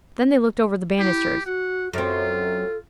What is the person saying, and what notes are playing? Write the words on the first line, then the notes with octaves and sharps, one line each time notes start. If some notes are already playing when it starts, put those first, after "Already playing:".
Then they looked over the banisters.
E4 G4
F#4 F#5
F#2 C4 F4 A4